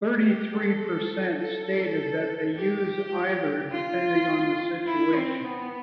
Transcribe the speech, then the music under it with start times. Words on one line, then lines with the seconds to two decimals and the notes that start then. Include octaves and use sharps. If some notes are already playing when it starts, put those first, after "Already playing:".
Thirty-three percent stated that they use either depending on the situation.
0.25 G4
0.54 A4
1.40 A4
2.56 G4
3.71 F4
4.87 E4
5.15 C4
5.44 B3